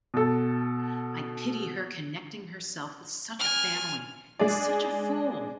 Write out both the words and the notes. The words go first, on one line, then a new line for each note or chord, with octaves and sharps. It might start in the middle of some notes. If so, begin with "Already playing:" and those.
I pity her connecting herself with such a Family, and such a fool!
B2 A4
G#5 F6
G#3 D4 G#4 D5